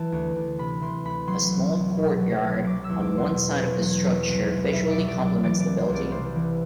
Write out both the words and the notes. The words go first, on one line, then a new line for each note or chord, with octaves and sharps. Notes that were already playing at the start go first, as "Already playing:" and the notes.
A small courtyard on one side of the structure visually complements the building.
Already playing: E3 A5
D2
D2
C3 B5
E3 C6
D2 B5
F#3 C6
C2
C2
B2
F#3
C2
F#3 D6
E6
E2
D6
E2 C6
B2
F#3
E2
F#3
C2
C2
B2 E5
D5
F#3
D5
C2
D5
E3 D5
D5
C2
C5
C2
D5
C3 C5
E3